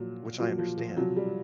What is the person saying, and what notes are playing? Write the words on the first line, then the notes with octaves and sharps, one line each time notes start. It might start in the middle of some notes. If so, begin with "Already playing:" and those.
which I understand.
Already playing: A#2 F3 F#3
A#2 F3 F#3
F3
F3
C3 F3 F#3
G3